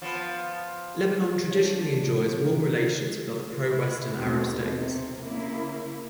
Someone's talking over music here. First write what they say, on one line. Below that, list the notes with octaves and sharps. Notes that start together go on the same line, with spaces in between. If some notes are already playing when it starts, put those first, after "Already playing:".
Lebanon traditionally enjoys warm relations with other pro-Western Arab states.
F3 B3
F3 D4 C#5 D7
C#4 E4 A#4
E4
D#2 B2 C4
C3
C#3 A#3 E4